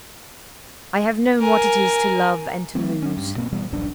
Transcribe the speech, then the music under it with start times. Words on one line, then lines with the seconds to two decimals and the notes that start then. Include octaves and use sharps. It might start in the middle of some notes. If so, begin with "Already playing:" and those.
I have known what it is to love and to lose.
1.40 A#4 G#5
2.75 F#3 A3 C4
3.02 F#3 C#4
3.17 G2
3.36 B2 A#3 C4
3.52 B2 E3 G3 B3
3.70 D1 A1 F#2 D4